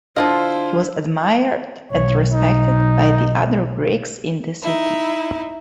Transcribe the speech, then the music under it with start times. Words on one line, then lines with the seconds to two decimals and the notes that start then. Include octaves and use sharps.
He was admired and respected by the other Greeks in the city.
0.16 D3 F3 A#3 E4 F4 C5 D#5
1.91 B1 C#5
2.32 D#4
4.62 D#4 E4